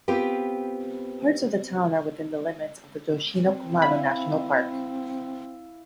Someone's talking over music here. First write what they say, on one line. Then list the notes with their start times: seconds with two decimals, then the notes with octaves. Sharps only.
Parts of the town are within the limits of the Yoshino-Kumano National Park.
0.08 B3 C4 F4 G4 B4
3.43 C4
3.82 E4 E5 F5 B5